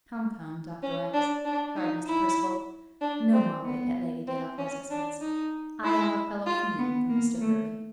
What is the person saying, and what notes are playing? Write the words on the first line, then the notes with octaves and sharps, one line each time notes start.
"Come, come, Dr. X----," cried Mr. Percival, "no more wit at Lady Delacour's expense: I have a fellow-feeling for Mr. Hervey."
C#4
D4
D4
D#4
E4
D4
C4
B3
C4
C#4
D4
D#4
E4
F4
B3
A#3
A3